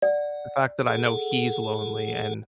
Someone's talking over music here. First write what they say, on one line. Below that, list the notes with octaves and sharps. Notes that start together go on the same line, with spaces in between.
the fact that I know he's lonely and
D5 F#5
G#4 A4 F#5